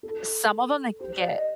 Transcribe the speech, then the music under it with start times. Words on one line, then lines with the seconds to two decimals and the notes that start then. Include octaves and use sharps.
Some of them, they can get
0.03 A4
1.00 G4 C5
1.17 D5
1.33 D#5